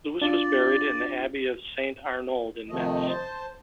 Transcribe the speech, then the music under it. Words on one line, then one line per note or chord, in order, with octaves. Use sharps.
Louis was buried in the Abbey of Saint-Arnould in Metz.
D4 F4 D5
F2 C3 D#3 F3 A3 D#5
C5 A5